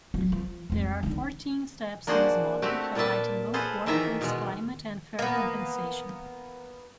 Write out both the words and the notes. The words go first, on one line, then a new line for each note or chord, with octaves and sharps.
There are fourteen steps in this model, highlighting both workplace climate and fair compensation.
D1 F#3
F3
F2 G#3
D3 D#3
A#3 D4 F#4 G#4 C5
A3 C4 F#4 G4 E5
A#2 A#3 F4 B4 E5 A5
G#4 A4 B4 C5 F5
D#3 E3 F4 E5 A#5
B2 G#3
A#3 B3